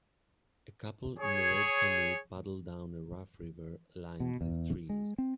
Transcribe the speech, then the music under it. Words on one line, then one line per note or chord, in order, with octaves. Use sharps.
A couple in a red canoe paddle down a rough river lined with trees.
G#4 C#5
B2
E2
G#3
C4